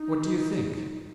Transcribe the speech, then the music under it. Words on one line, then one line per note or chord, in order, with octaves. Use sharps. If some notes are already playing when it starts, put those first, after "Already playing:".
What do you think?
Already playing: D#4